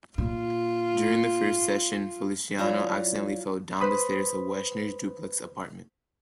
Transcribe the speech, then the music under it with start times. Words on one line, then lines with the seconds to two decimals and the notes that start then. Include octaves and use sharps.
During the first session, Feliciano accidentally fell down the stairs of Weshner's duplex apartment.
0.18 A#2 F4
2.58 F#3 E4 F4 D5 A#5
3.81 B4 C5 B5 D#6